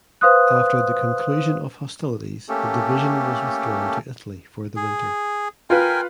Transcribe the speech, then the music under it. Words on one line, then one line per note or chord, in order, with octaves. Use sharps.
After the conclusion of hostilities the division was withdrawn to Italy for the winter.
B4 C5 F5 C6 D#6 F#6
A3 A#3 C#4 G4 A4
G#4
F4 A#4 B4 G5 G#5